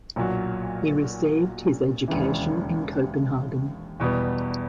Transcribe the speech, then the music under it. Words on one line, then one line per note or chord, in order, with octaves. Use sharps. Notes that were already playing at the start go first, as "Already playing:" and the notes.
He received his education in Copenhagen.
B1 A#2 F#3
E1 D#2 C#3 E3
E2 B2 G3 B3